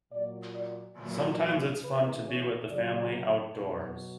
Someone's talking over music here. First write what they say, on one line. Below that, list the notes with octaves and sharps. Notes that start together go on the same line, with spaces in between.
Sometimes it is fun to be with the family outdoors.
A#2 F#3 D5
D5
A#2 F#3
C#3 E3 B4
C#5
C#3 F#3 D5
B2 F#3